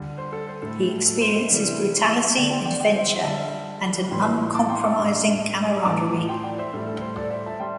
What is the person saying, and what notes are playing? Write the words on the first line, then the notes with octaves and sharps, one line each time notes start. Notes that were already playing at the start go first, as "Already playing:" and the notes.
He experiences brutality, adventure, and an uncompromising camaraderie.
Already playing: D3 G3
C5
A4
C5
A2 A3 A4
A4
C5
C5
C3 E3 G3 C5 E5
D3 A3 D5 G5
G5 C6
D5 G5
D5 G5
C5 E5
C5 E5
D3 G3 E5 A5
A2 E3 G3 G5 C6
A5 D6
G5 C6
A5 D6
A2 G3
A2 E3 A3 A5 D6
G5 C6
D5 G5
C5 E5
A2 G3 A4
A4
C5
A4 D5
C5 E5
E5 A5
G3 G5 C6